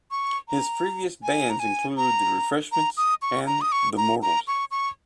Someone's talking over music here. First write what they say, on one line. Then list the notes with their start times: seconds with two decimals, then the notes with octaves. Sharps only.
His previous bands include The Refreshments and the Mortals.
0.11 C#6
0.48 A#5
1.23 G#5
1.50 A#5
1.59 G#5
1.97 A#5
2.72 A#5
2.97 D#6
3.22 C#6
3.47 A#5
3.61 D#6
3.72 C#6
3.97 A#5
4.22 A#5
4.47 C#6
4.71 C#6